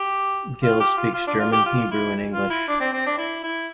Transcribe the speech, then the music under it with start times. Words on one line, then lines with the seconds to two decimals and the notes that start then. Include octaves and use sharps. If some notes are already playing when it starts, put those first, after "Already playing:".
Gil speaks German, Hebrew, and English.
Already playing: G4
0.63 F4
0.80 G4
0.97 F4
1.14 F4
1.27 D4
1.39 F4
1.52 G4
1.65 F4
1.91 E4
2.33 F4
2.50 E4
2.68 D4
2.80 C4
2.93 C4
3.06 D4
3.18 E4
3.44 E4